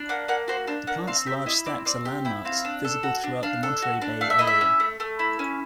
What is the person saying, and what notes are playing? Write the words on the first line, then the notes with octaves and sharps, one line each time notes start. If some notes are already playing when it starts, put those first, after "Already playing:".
The plant's large stacks are landmarks, visible throughout the Monterey Bay Area.
Already playing: D4
A#3 F#5
A#3 F#5
F#4 C5
D4 C5
A#3 F#5
C4 F5
G4 E5
E4 D#5
C4 D5
C4 D5
G4
E4 G5
C4 F5
D4
A4
F#4
D4
D4 F5
A4
F#4
D4
A3 F5
E5
E4 D#5
E5
C#4
A3
A3
E4
C#4